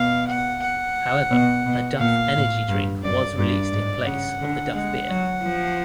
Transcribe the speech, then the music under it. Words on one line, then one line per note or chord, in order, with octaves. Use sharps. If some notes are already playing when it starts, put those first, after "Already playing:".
However, a Duff Energy Drink was released in place of the Duff Beer.
Already playing: B2 F5
F#5
F#5
B2
B2
A#2 F5
A2
G2
F#2 D5
G2 D5
G#2
C#3 F#5
D3
G#3 F#5
F#3
F3